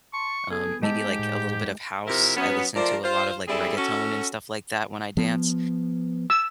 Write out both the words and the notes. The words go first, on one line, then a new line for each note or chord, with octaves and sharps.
um, maybe, like, a little bit of house. I listen to a lot of, like, reggaeton and stuff like that when I dance.
A5 C6 C#6
B3 G#4 A4
G#2 G#3 G4 A5 E6
A2 G6
C3 F3 E4 A#4
F#3 B3 C#4
F3 A3 A#4 C5 D5
F4 C5
G3 C4 D4 E4 G#4 A4
C#4 F#4 A4
F3 B3
E6